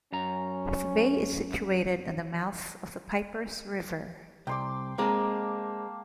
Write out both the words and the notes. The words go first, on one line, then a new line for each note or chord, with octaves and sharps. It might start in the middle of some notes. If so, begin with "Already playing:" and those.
The bay is situated on the mouth of the Pipers River.
F#2 C#4 A#5
C2 G5 C6 D6
G#3 A#3 C4 A5